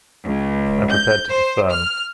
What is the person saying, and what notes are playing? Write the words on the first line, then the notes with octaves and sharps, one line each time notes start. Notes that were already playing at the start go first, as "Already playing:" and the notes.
I prepared to be firm.
C#2
G6
C5
F6